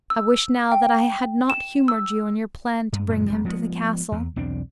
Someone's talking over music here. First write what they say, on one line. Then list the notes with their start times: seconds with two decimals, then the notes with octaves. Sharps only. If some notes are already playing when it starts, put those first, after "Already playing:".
I wish now that I had not humored you in your plan to bring him to the castle.
0.10 E6
0.72 G5
1.50 E7
1.88 E6
2.93 G2
3.09 F#2 A#2 C#3 G#3
3.27 E1 G3
3.45 F3 G#3 A3 B3
4.12 E2
4.36 B1 E2 C4 D4